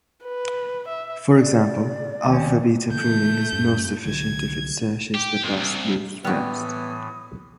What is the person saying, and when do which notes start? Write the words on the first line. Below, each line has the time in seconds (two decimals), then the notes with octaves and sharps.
For example, alpha-beta pruning is most efficient if it searches the best moves first.
0.24 B4
0.88 E5
1.36 D5
2.29 D#2 C#4
2.90 C#3 E3 A3 G6
3.52 F#2 G3 C#4
4.05 C2 D3 F#3 G#6
5.15 G4
5.44 F2
5.57 C2
6.24 A2 E3 G3 B3 F#4 D#6